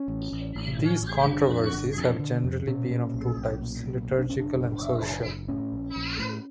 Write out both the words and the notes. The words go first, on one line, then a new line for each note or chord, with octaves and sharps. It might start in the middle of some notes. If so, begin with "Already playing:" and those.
These controversies have generally been of two types: liturgical and social.
Already playing: C#4
A1
A1
A1
A2
A1
G1 D4
F2
G1
F2
D3
F2
A#2 C#4
A#2
B1
B1
A#2
B1
F#1
D4
F#1 C#4
D4
F#1
F#1
F#1
F#1
A2 C#4
A#1
A#1
A2